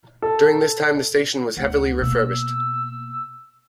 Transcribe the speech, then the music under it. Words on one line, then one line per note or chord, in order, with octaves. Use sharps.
During this time the station was heavily refurbished.
A4
D2 F#5
B2 A#3 E6